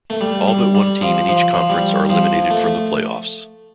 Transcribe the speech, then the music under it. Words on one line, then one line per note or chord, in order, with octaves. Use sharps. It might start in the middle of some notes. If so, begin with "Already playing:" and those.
All but one team in each conference are eliminated from the playoffs.
A3
G3
G3
G3
F3
F3
F3
G3
F3
A3